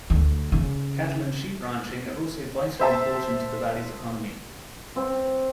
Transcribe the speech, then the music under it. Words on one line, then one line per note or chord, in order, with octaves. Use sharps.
Cattle and sheep ranching are also vitally important to the valley's economy.
D2
C#3
C5 E5 A5
C4